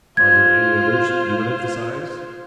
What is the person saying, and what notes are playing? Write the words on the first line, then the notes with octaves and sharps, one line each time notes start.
Are there any others you would emphasize?
F4 C5 G#6